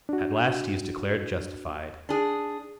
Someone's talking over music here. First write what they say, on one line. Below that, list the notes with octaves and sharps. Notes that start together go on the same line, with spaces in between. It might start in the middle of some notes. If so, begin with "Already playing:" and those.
At last he is declared justified.
D4 F#4
D4 G#4